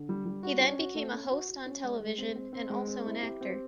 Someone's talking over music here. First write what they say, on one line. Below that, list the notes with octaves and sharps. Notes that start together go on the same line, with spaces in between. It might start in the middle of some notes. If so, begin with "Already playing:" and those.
He then became a host on television, and also an actor.
Already playing: D3
G3
G3
F#4
C#4
F#4
A3
C#4
F#4
F#4
C#4
G#3
G#3
C4
C4
C4
G#3
C4
E4
G4
C4